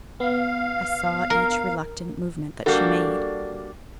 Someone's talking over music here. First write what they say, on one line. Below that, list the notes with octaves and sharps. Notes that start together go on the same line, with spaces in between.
I saw each reluctant movement that she made.
B3 F5
A#4
G3 A#3 D4 F#4 A4